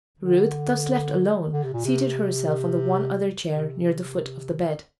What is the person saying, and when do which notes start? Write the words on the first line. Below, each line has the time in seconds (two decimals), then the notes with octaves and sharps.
Ruth, thus left alone, seated herself on the one other chair near the foot of the bed.
0.19 D3
1.53 D3
1.63 C3
1.73 A#2
1.85 C3
3.51 C3